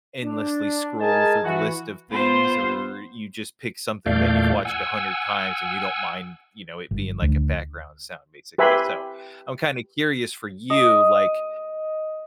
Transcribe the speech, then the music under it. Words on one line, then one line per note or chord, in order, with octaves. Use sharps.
endlessly scroll through the list of things or you just pick something that you've watched a hundred times and you don't mind, you know, it being like a background sound basically. So, I'm kinda curious for you, like,
D4
G#3 G#4 A#4 D#5 G#5 A5
E3 F#4
B3 F4 C5
E2 A#2 A3 D5 F5 G6
F#5 G#5 E6
G1
D2
G4 B4 E5 G#5 B5 C6
D#5